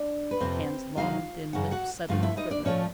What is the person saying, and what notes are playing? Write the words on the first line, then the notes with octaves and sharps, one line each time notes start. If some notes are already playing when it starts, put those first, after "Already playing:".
Anne's long, thin lips suddenly quivered.
Already playing: D4 D5
B4
F2 C3 F3 C4 C5
D2 C3 D#3 F#3 F4 F5
F#2 C#3 F#5
F#4 F#5
G2 D3 F3 A3 F4 F5
E4 E5
D#4 D#5
D4 D5
A2 F3 A3 C#4 C#5